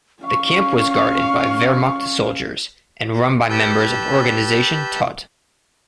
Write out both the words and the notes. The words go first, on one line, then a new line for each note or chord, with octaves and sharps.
The camp was guarded by Wehrmacht soldiers, and run by members of Organisation Todt.
C#4 F5 C#6
G4 B4 A5 E6 G6